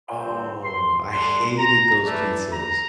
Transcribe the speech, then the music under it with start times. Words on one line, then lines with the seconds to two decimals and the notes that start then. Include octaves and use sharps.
Oh, I hated those pizzas.
0.17 G2 D3 A3 C4
0.64 C6
1.11 D3 G3 D4 C6
1.59 A#5
2.05 E3 A3 D4
2.53 A#5